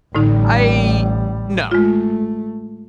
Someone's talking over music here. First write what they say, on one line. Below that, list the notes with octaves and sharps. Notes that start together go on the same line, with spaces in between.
I no.
A1 A2 D3 G3 D#4
G#3 A3 F4